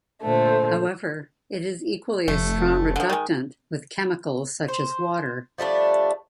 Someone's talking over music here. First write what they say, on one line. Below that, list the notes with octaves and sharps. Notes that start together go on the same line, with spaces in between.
However, it is equally a strong reductant with chemicals such as water.
A#2 D3 A3 C5
F1 A3
D3 F3
D#3 G#3
C5
F3 G3 A3 D4